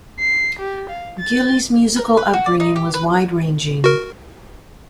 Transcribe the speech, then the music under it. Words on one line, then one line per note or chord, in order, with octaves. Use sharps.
Gillies' musical upbringing was wide-ranging.
C7
G4
F5
A6
A#4
B4
F#4
D5
D#4
G4
B4
F#4 A#4